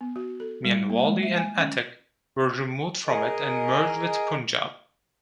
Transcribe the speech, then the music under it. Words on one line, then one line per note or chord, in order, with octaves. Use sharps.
Mianwali and Attock were removed from it and merged with Punjab.
B3
F#4
A4
G3
A#3
G#3
E5
G#5
C#4
G#4 A#4 D#5